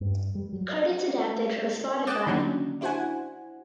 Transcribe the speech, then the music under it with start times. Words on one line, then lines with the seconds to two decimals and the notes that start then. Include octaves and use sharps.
Credits adapted from Spotify.
0.01 G2
0.35 G3
0.52 F#3
1.18 A3
2.07 D6 D#6 F#6 G6 A6 E7
2.27 D3 D#3 F#3 A#3 C#4 D4
2.81 D4 E4 F#4 C5 F#5 G#5